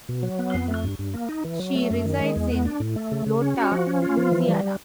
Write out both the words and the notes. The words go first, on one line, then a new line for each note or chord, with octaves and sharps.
She resides in Iota, Louisiana.
B2
F#3
B3
F2
A3
G2
G2
A#3
D#4
E3
F#3
A3
F#2
D#3
G#3
E2
B3
D4
A2
A3
C#3
C#3
C#4
F#4
F3
C#4
F4
F3
E3
G3